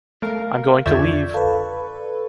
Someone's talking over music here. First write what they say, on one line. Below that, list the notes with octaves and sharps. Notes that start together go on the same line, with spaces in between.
I’m going to leave! ...
A3 A#4 F5
F2 D3 F4 D5 E5 C#6 G6 G#6
A4 B4 F5